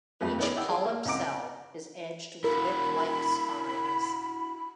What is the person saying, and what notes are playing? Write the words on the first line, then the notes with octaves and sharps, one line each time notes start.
Each polyp cell is edged with whip-like spines.
F2 F3 A3 B4
D#3 B3 C#4 E4 G#4 D5
E4 D5 F#5 G5 E6
G#4
A#3
C#2 C4 F#5 A#5 D6 D7
E4 F#4 A#4 B5